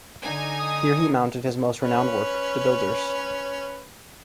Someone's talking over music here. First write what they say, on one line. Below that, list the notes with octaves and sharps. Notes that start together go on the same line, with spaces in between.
Here he mounted his most renowned work, The Builders.
D3 D#4 G#5
D#6
C#4 B4 C#5